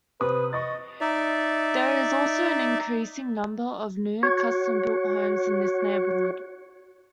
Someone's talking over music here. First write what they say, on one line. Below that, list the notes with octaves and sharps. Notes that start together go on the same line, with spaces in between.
There is also an increasing number of new custom built homes in this neighbourhood.
C3 B4 D#6
D#5 C#6 D#6 A6
D#4 D5 E5
F#4 C#5